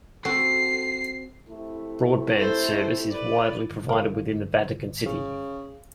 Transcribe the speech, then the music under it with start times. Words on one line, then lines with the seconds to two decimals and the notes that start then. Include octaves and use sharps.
Broadband service is widely provided within Vatican City.
0.25 C4 F#4 A4 C7
1.48 C3 A3 E4
2.38 A4 C5
3.10 B4 D5
3.70 G1
3.89 A#4 F5
5.06 C#3